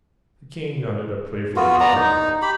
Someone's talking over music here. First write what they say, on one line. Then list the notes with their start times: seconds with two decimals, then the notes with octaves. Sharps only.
The king nodded a playful affirmative.
1.56 B3 F4 F#4
1.80 B3 D5 A#5
1.95 D#4
2.42 G4 B5